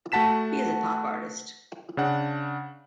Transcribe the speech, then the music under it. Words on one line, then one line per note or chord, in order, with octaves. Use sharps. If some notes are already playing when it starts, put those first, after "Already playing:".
He is a pop artist.
A3 F#4 F#5 A5 B6 E7
C#3 D4 F#5